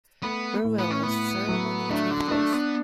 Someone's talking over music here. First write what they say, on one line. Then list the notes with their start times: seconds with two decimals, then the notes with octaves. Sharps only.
Where will the ceremony take place?
0.22 A3 B3
0.64 A2
0.78 B3
0.91 C#4
1.03 A2 B3
1.49 F#3
1.90 A3 D4
2.11 D3
2.28 B3
2.31 A3 D4
2.52 B3